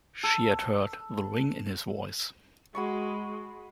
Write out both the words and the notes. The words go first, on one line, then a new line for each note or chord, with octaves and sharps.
She had heard the ring in his voice.
A4
G#3 F#4 B5 C#6